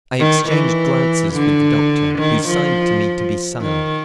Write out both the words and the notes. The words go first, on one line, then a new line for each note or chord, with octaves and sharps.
I exchanged glances with the doctor, who signed to me to be silent.
D#3
E3
D3
D#3
F3
D#3